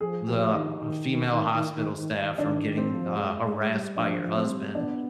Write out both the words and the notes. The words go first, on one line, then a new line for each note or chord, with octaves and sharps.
the female hospital staff from getting," uh, "harassed by your husband.
F3 G#4
F3 G4
D#3 D#4
D#3
D#3 D4
D#3
C4
F3
G#3
G#3
G3
F3 D4
F3
C4
G#3
G3
B3 D4